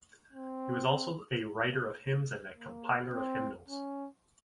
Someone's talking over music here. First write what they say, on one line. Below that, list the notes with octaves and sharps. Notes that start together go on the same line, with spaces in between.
He was also a writer of hymns and a compiler of hymnals.
C4
A#3
C4
C#4